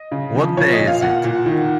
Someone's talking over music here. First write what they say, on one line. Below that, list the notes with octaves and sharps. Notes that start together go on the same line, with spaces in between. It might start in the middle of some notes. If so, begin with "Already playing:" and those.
What day is it?
Already playing: D#5
C#3
F3
A#2 C#5
D#5
A#2
F5
A#2 F#5
A#2
D#3